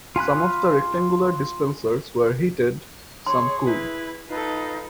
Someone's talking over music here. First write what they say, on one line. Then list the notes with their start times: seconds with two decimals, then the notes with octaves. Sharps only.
Some of the rectangular dispensers were heated, some cooled.
0.16 F4 G#5 B5 F#6
3.26 G#4 C#5 C6
3.66 E4 B4
4.29 D#4 F4 A4 B4